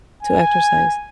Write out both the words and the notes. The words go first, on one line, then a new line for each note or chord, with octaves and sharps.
to exercise?
G#5